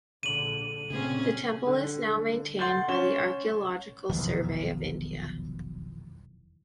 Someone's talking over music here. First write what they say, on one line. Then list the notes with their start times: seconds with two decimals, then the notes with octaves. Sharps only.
The temple is now maintained by the Archaeological Survey of India.
0.23 A#1 D3 D#7 F#7
0.90 A#2 C#3 A3 C4 C#4 G#4
1.66 D3
2.59 F#5 C6 G6 A6
2.88 C#4 E7 G7
4.10 F1 B1 E2 B2 D#3 F3